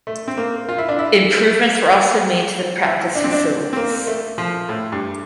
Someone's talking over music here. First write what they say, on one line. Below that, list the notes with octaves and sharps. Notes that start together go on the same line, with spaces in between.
Improvements were also made to the practice facilities.
A3
C4
A#3
F4
E4
D4
E4
E4
D4
C4
D4
C4
A#3
A3
F3
A2
G2